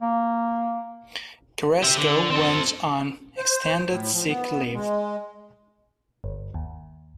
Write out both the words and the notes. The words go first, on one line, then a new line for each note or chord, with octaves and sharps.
Carrasco went on extended sick leave.
A#3
G4 E5
D3
C4 A4
C5
A2
F3
B3
G#3
G1
D#2